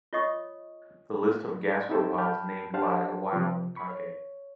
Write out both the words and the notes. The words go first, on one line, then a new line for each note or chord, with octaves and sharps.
The list of gastropods named by Iwao Taki.
F4 C#5 D#5 C#6 D#6
C4 D#4 E4 G4 A4 C5
G5 A5 B5 F6 G6
D4 G4 C5 F5 F#5 A5
C3 F3
B5 C#6
C#5